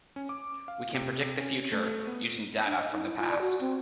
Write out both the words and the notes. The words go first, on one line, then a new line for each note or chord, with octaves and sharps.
We can predict the future, using data from the past.
C#4
D6
F5
C3
C#4
A3
B3
D4
D#5
D#4
E4
F4
D5
F#4
C4